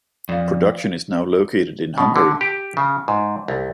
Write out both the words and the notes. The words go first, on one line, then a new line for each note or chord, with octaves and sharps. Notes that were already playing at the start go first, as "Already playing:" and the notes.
Production is now located in Hungary.
F2 D5 F5
B2
D3
G4
C#3
G#2
C2